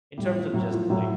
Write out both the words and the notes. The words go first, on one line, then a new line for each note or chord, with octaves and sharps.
in terms of just like
A2 G3
F3
A2 F#3
F3
A2 F#3